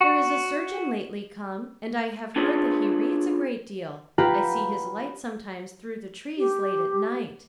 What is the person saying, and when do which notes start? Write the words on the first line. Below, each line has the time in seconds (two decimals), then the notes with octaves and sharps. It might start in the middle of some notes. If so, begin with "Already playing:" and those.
"There is a surgeon lately come, and I have heard that he reads a great deal--I see his light sometimes through the trees late at night."
0.01 F#4
2.36 D4 F4 G#4 B4 C#5 D#5
4.18 F4 G4 B4 F#5 A#5 B5
6.38 G4